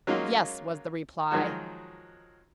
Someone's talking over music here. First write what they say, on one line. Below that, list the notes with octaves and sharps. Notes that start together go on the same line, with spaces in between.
"Yes," was the reply.
F#3 G#3 A#3 C#4 D#4 F4
D#3 F3 F#3 G#3 F#4